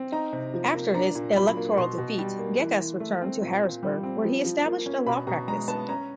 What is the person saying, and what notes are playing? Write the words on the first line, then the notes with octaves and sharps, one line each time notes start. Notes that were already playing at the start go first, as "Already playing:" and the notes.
After his electoral defeat Gekas returned to Harrisburg where he established a law practice.
Already playing: C4
D#4 A#5
C3
F3
A#3
D4 A#5
A#2
F#3 B5
A#3
B2 C6
B2
G3
A#3
E3
E3
A3
C4
A#2
A#2
G3
C4
F3
F3
A#3
C#4
B2 B5
B2 A#5
G#3 A#5
B3 A5
C#4 A#5